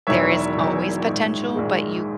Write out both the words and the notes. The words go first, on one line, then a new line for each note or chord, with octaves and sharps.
there is always potential, but you
E1 E2 D#3 F#3 C#5 E5
E1 E2 D#3 F#3
A#1 G#2 D#3 G#3
A#1 G#2 D#3 G#3